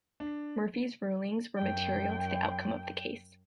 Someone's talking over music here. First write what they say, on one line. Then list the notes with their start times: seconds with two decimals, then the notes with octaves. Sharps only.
Murphy's rulings were material to the outcome of the case.
0.20 D4
1.57 F#2 G5